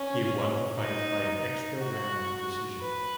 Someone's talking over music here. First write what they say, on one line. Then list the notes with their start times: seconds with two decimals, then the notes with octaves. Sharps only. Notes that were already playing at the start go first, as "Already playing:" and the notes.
He won the fight by an extra round decision.
Already playing: C#4
0.77 D#4
1.79 F#4
2.81 B4